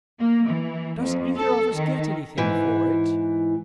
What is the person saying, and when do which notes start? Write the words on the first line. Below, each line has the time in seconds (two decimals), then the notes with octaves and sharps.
"Does either of us get anything for it?"
0.18 A#3
0.47 E3
0.99 F2
1.36 A4
1.75 D#3
2.37 G#2 E3